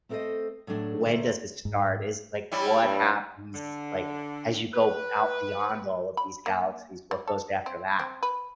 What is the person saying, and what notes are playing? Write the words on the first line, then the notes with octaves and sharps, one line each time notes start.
when does it start? Is, like, what happens, like, as you go out beyond all of these galaxies, what goes after that?
A3 C4 A4 A#4 C5 D#5
A2 F#3 A3 D4
D3 A3 A#3 C5
G#2
G3 C#4 E4
G2
D3
B4
B5
A#3
G3
A4
C4
C4
B4